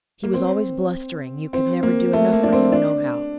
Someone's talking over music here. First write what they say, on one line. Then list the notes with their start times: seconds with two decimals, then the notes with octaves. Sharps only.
He was always blustering, you could never do enough for him no how.
0.23 A#3
0.34 C4
1.53 C4
1.83 A#3
2.13 A3
2.33 A#3
2.43 D4
2.53 C4
2.72 D4